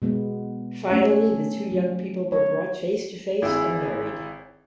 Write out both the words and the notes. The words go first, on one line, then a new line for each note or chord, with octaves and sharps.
Finally the two young people were brought face to face and married.
B2 G#3 B3
A3 C#4 C#5 E5
F#3
C#5
G#1 E4 G#4